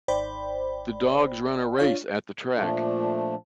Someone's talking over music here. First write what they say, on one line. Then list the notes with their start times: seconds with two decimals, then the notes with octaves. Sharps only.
The dogs run a race at the track.
0.08 G#1 C5 D5 G5 B5
1.79 D4 F4 C#5 F5
2.57 A#2 F3 A3 D4